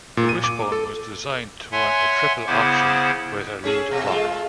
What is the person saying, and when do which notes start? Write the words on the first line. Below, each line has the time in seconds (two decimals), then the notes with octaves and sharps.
The wishbone was designed to run a triple-option with a lead blocker.
0.17 A#2
0.29 D#7
0.44 D6
0.72 A4
1.72 C#5 E5 F#5 G#5 C6
2.47 C#3 B3 E4 C5 F#5 D6
3.64 C#4 G#4 A4
3.91 B2
4.07 G#3 F4 A4